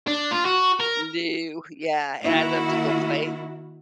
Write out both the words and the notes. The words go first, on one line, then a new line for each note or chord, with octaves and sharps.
Lou, yeah, and I loved to go play
D4
F4
F#4
A#4
D#3 A#3 E4 F#4